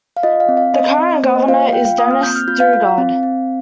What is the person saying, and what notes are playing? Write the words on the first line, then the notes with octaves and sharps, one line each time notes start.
The current Governor is Dennis Daugaard.
F5
F4 D#5
F5
C4
F5
C4 D#5
C4
A#3 C5
D#5
F4 F5
F5
F4 G5
F5
A#3 D#6
F6
C4 G6
F6
F4 G6
F5
F4 F5
C4
C4